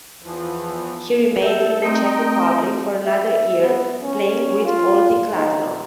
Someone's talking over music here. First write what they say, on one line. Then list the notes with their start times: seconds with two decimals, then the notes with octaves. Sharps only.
He remained in the Czech Republic for another year, playing with Poldi Kladno.
0.22 E2 E3 F3
1.42 G4 A4 A#4 E5
1.82 A3 C4 D#4 D#5 G5
3.06 E5
3.62 B3
4.02 C#4
4.65 F4
5.33 D#4